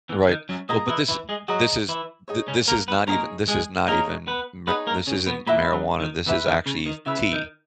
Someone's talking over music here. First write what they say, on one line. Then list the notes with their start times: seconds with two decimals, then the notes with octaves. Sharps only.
Right. Well, but this this is th this is not even this is not even ma this isn't marijuana. This is actually tea.
0.09 E2 E3
0.29 D#3
0.49 F#2 F#3
0.69 A#2 A#3 G#4 D#5 A#5 D#6
0.89 E3 E4
1.08 E3 E4
1.29 G#3 G#4
1.48 F#3 F#4 G#4 D#5 A#5 D#6
1.88 E3 E4
2.28 D#4 G#4 C#5
2.48 C#3 C#4
2.68 A#3 A#4
2.88 B3 B4
3.07 A#3 D#4 G#4 A#4 C#5
3.48 G#3 G#4
3.87 A#3 D#4 G#4 A#4 C#5
4.27 B3 B4
4.67 B3 D#4 G#4 B4 C#5
4.87 A#3 A#4
5.07 C#3 C#4
5.26 B2 B3
5.47 A#2 A#3 E4 B4 E5 B5
5.73 F#2 F#3
6.00 D#3
6.26 E2 E3 E4 B4 E5 B5
6.46 D#3
6.66 C#3
6.86 D#3
7.06 C#3 E4 B4 E5 B5
7.33 D#3